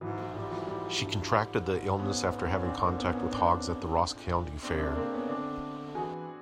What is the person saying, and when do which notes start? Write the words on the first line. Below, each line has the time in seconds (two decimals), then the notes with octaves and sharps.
She contracted the illness after having contact with hogs at the Ross County Fair.
0.01 G#2 E3 F#3
0.18 E3 F#3
0.34 G#2 F3 G3
0.51 E3 F#3
0.67 G#2 F3 G3
1.00 G2
1.34 G#2
1.99 B3 C#4
2.25 B3
2.38 C4
2.52 C#4
2.65 C4 D4
2.81 A#3 C4
2.98 B3 C#4
3.14 B3 C#4
3.31 G#2 C4 D4
3.64 G#2
3.96 G#2
4.14 A#2
4.29 A#2
4.63 C3 C4 D4
4.79 C4 D4
4.95 C#3 A#3 C4
5.13 B3 C#4
5.29 D3 C4 D4
5.95 E3 F#4 G#4